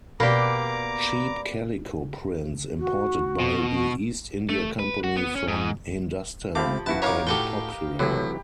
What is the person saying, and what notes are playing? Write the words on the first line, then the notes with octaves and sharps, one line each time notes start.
Cheap calico prints, imported by the East India Company from "Hindustan", became popular.
B2 A#3 G4 B4 D5 A#5 D6
F#4
B2
F#4
A3
B4
F#4
B3
C#4
G#2
F3 A3 C4 G4 F5 B5 D6
F#2 E4 F#4 B4 A5
D#4 A#4 C#5 F5 D6
A2 F#4 G4 A4 B4 G5
A2 C3 E3 F#3 G4 B5